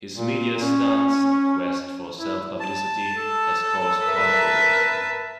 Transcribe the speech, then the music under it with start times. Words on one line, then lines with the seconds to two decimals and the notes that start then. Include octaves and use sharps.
His media stunts and quest for self-publicity has caused controversy.
0.16 A#2
0.61 C#4
2.18 E4
2.60 A5
3.13 A4
4.05 A#4 B4 E5